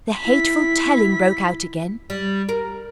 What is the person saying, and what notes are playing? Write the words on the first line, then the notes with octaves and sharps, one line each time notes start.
The hateful telling broke out again.
E4 B6
G3
A#4